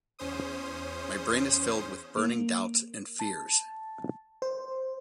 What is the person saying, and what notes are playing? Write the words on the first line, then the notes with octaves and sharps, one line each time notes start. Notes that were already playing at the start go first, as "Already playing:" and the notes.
My brain is filled with burning doubts and fears.
E2 C#4 C5 D#6
A#3
A5
C5